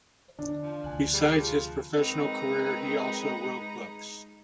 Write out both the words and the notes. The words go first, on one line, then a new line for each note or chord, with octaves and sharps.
Besides his professional career he also wrote books.
D3 D4
F3
D2 C3 G#5 F#6
G3 G#4
F3 G#4 F#6
D#3 F3 G#3 C4 D#4 G#4 B4 A#5